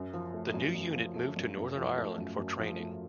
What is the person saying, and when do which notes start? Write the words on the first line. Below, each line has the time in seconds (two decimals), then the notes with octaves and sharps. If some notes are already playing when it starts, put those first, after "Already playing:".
The new unit moved to Northern Ireland for training.
Already playing: F#2
0.14 F3
0.34 A3
0.54 F#2
0.75 F#2
0.95 F3
1.16 A3
1.36 F#2
1.57 F#2
1.77 F3
1.98 A3
2.18 F#2
2.39 F#2
2.59 F3
2.80 A3